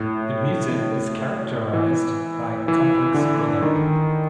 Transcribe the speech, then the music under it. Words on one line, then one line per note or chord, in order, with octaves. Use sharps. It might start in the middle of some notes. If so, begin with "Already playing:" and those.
The music is characterised by complex rhythm.
Already playing: A2
E3
E3
D3
D#3